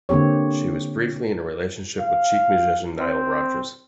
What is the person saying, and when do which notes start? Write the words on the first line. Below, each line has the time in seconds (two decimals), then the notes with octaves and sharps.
She was briefly in a relationship with Chic musician Nile Rodgers.
0.09 D3 A#3 C4 G4 C#5
2.00 F5
3.00 C4